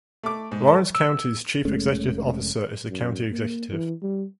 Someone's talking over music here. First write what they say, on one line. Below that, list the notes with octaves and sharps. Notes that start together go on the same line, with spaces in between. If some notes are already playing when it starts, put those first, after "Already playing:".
Lawrence County's chief executive officer is the County Executive.
A3 D6
G#2
A4
E6
F1 G#3 A3 C#4
F#2
A#3
E3
G3